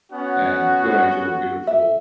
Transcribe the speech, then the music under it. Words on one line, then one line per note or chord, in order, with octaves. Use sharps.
and going to a beautiful,
B3 C#4 F#4 F#5
E5